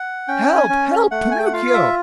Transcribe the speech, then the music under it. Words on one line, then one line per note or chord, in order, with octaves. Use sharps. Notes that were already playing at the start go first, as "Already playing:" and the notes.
"Help, help, Pinocchio!"
Already playing: F#5
C#4 G5
G#5
C#4
A3 F#5
G#5
G5
F#5
F4 F5
E5